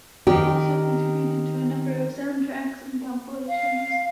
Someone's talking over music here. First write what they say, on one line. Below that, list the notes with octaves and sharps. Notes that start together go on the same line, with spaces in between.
They also contributed to a number of soundtracks and compilations.
D#3 G4
F5